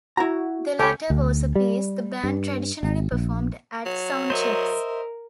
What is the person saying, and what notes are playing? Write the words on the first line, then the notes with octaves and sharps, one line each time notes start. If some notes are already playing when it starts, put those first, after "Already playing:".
The latter was a piece the band traditionally performed at soundchecks.
E4 F#4 A#5
C#2 G4 A4 C#5 G#5 B5
D2
G3
G2
G#1
A#1
F#3
A#4 C5 D#5 E5